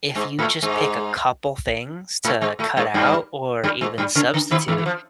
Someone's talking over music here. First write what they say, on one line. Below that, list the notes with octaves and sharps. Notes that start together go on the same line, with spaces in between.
if you just pick a couple things to cut out or even substitute,
G#2 G#3
A2 A3
G#2 G#3
A2 A3
G#2 G#3
A2 A3
G#2 G#3
G2 G3
G2 G3
G#2 G#3
G2 G3
C#3
D3
D#2 D#3
E2 E3
E3
F3